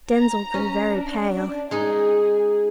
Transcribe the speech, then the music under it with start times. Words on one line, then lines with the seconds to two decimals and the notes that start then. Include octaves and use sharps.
Denzil grew very pale.
0.12 A#5
0.54 C#4
0.95 D4
1.71 G#3 D#4 G#4